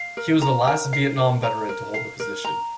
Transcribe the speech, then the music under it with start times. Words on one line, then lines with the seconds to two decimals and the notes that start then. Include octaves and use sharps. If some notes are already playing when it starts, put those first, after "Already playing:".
He was the last Vietnam Veteran to hold the position.
Already playing: F5
0.17 A#4
0.42 A#5
0.67 A#4
0.93 F5
1.18 A#4
1.43 A#5
1.69 A#4
1.94 F5
2.20 A#4
2.44 A#5